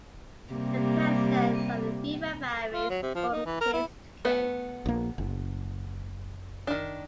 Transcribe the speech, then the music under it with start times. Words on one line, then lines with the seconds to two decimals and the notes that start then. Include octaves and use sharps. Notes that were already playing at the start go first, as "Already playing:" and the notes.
The presence of a fever varies from case to case.
0.53 C3 G3 A#3
2.73 F4
2.90 F#3
3.02 C3
3.15 F3
3.32 D#4
3.46 E3
3.61 A#4
3.73 E4
4.25 A3 B3 B4
4.86 A#1 A#3
5.18 F#1
6.67 D#3 D4